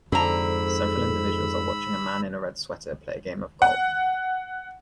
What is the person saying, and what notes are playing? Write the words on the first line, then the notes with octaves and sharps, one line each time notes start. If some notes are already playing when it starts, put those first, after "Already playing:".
Several individuals are watching a man in a red sweater play a game of golf.
F2 G#2 D3 A#5 B5 E6
F#5